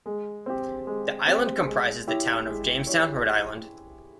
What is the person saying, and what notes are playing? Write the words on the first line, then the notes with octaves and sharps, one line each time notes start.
The island comprises the town of Jamestown, Rhode Island.
G#3
C4 G4
G#3
C4 G4
G#3
E4 G4 C#5
G#3
E4 G4 C#5